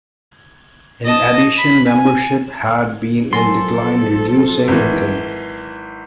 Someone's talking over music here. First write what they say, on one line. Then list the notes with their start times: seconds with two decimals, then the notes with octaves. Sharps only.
In addition, membership had been in decline, reducing income.
1.06 D#5 A5
1.58 B5
1.88 G#5
3.33 F3 F#3 A4 A#4 G#5 C6
4.68 G#1 E3